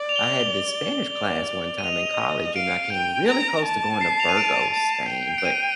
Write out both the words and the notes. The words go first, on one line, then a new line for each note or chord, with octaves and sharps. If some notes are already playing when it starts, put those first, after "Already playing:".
I had this Spanish class one time in college, and I came really close to going to Burgos, Spain. But
Already playing: D5
F7
G7
G7
D5
D#7
D#5 F7
F5 D7
G5
A#5
A5
C7
F7
D#7
D7
A5
G5
D7
D#7